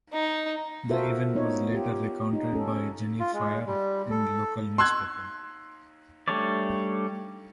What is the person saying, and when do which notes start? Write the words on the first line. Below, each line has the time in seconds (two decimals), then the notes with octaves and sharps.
This event was later recounted by Jenny Frye in a local newspaper.
0.12 D#4
0.90 F4 F#4 A4 A#4 C5 E5
1.35 B3 D#4 C#5
1.71 F4 G4
2.33 D#4
2.53 C#4 A4
3.20 F4
3.33 G#3
3.67 G3
4.11 A4
4.78 C6 E6 F#6 G#6
6.28 G3 A3 D4 C#5 D5